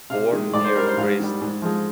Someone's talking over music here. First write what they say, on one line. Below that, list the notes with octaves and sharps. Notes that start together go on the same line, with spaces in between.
Born near Dresden.
C3 F5
D#3 G#3
G#2 D5
C5
G3 A#4
C5
G#2 F5
D#3 G3
G#2
F3 G#3